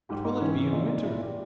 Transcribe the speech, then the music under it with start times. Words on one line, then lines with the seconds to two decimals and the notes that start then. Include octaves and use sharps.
"What will it be in winter?"
0.09 G#2 G4
0.25 G#2 D#4
0.41 E3 C#4
0.58 E3
0.73 A#2 D#4
0.90 A#2
1.04 A#2 E4
1.20 A#2 G4